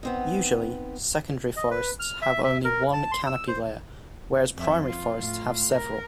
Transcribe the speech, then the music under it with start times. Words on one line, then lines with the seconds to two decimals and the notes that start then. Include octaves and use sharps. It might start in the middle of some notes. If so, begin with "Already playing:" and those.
Usually, secondary forests have only one canopy layer, whereas primary forests have several.
0.03 B3 C4 D#4
1.56 D#5
1.71 B4
1.99 F6
2.22 E5
2.44 E5
2.64 A#4
2.93 A5
3.12 C6
3.27 E6
3.48 C5
4.56 F2 E5
4.85 F4
5.19 A2 F4
5.72 A#4